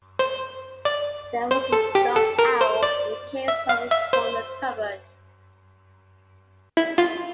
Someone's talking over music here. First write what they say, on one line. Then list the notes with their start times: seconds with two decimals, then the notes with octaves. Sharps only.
There was a stuffed owl in a case over a corner cupboard.
0.19 C5
0.85 D5
1.51 C5
1.73 A4
1.95 G4
2.16 A4
2.39 A#4
2.61 C5
2.83 D5
3.48 E5
3.69 F5
3.91 E5
4.13 C5
6.77 E4
6.98 F4